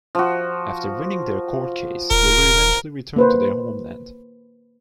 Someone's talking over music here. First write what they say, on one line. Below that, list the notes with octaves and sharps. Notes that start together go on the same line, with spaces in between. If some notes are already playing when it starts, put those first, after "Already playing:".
After winning their court case, they were eventually returned to their homeland.
F3 F#4
D#1 A#4
A#3 B4 C5